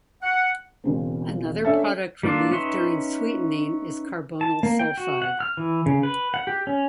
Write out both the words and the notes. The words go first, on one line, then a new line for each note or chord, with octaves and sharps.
Another product removed during sweetening is carbonyl sulfide.
F#5
E1 C#3 C4
C#4 D4 A4 E5
G3 A#3 D4 F4 A4
C#4 D#4 B4 E5 C6
A5
A#3
G5
F#4
F#5
F6
E3
C#3
B4
F#5
G4
C#4